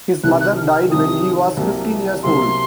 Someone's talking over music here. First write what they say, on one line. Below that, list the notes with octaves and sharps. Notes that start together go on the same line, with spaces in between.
His mother died when he was fifteen years old.
C2 C3 D#3 F#6
F#6
F6
D#6
F6
C2 C3 D#3 D#6
C2 C3 F#3 A#3
C2 C3 F#3 A#3 C6